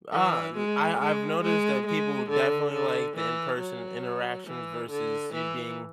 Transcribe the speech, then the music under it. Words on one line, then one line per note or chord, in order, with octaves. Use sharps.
Uh, n I I've noticed that people definitely like the in-person interactions versus you being
E3
G#3
G#3
G#3
G#3
D3
D3
E3
F#3
E3
D3
E3